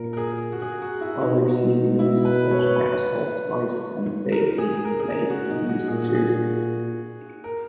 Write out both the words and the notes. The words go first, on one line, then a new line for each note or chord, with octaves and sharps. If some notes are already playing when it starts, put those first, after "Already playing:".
Other seasonings such as allspice and bay leaf may be used too.
Already playing: A#2 A#4
A#4
G#4
F#4
G#4
F#4
E4
B2 D#4
E4
B4
C#5
B4
C#5
B4
A#4
G#4
A#4
G#4
C#3 A#4
F#4
A#2 D#4
F#4
A#2 G#4
F#4
G#4
A#4